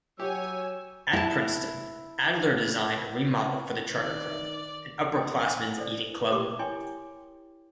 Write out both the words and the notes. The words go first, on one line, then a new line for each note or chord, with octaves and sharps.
At Princeton, Adler designed a remodel for the Charter Club, an upperclassmen's eating club.
F#3 G4 C#5 G#5 E6
E4 A5
D#3 D5
D#5 G5 D#6
A4 C5 D5
G4 A#4 C6 D6
E4 C#5 G5 G#5 C6